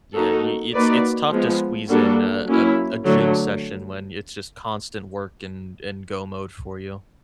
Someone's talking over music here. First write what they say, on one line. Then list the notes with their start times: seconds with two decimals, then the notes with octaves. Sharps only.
yeah, you it's it's tough to squeeze in a a a gym session when it's just constant work and and go mode for you.
0.14 A#3 D#4 F#4 A4
0.73 A#3 D#4 F#4 B4 D5
1.30 F3 G#3 B3
1.89 G3 A#3 D4 F#4 A4
2.46 F#3 A#3 C#4 E4
3.05 D3 F#3 A3